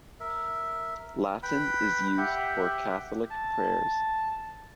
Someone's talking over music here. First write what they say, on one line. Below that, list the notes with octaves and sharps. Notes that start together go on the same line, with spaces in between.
Latin is used for Catholic prayers.
A#4 E5
B4 G5 B5
G4 E5 F#5 G5
A5